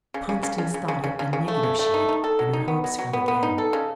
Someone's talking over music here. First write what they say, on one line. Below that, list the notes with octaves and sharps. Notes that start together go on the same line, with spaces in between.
Constance thought it a negative shake, and her hopes fell again.
C#3
C#3
C#3
C#3
C#3
C#3
C#3
C#3
C#3
A3
C#3
A3
D#4
D#4
A4
F#3
D#4
B3
F#3
F#3
B3
B3
D#4
A4
C#3